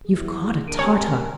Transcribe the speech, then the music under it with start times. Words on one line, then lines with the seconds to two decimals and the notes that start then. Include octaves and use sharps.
'You've caught a Tartar.'
0.05 E2 G#4
0.67 D4 A#4 D7 D#7
0.79 G#3 C4 G4 C#5 G5 G#5 A#5